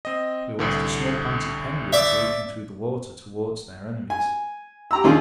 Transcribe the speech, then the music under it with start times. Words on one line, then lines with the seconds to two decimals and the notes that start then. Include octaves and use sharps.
We watched a small party of penguins leaping through the water towards their enemies.
0.05 C4 D#5
0.59 C2 A2 D3
1.93 D5 E5
4.10 G#5
4.91 G4 A#5 E6
5.04 D#2 D#3 C#4 D4 F4 G#4